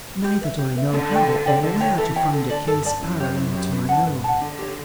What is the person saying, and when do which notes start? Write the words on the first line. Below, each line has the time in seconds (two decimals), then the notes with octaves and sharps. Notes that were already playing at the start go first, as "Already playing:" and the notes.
Neither do I know how, or where, to find a case parallel to my own.
0.24 G4
0.41 B4 E5
0.58 G4
0.76 B4 E5
0.93 D3 A4
1.11 D5 G5
1.29 A4
1.46 D5 G5
1.63 D3 A4
1.80 C#5 G5
1.98 E3 A4
2.16 C#5 G5
2.32 D3 A4
2.50 D5 A5
2.67 G2 A4
2.85 D5 A5
3.02 F#2 E4
3.20 G4 C#5
3.37 E4
3.54 G4 C#5
3.72 B4
3.89 F#5 A5
4.06 G2 B4
4.24 F#5 A5
4.41 D3 D4
4.59 G4 C#5